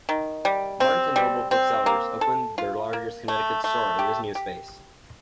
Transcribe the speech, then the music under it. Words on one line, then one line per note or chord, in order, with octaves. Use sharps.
Barnes and Noble Booksellers opened their largest Connecticut store in this new space.
D#3
G3
C4
G3
C4
A#3
A4
F4
A#3
A3
A3
G4
G4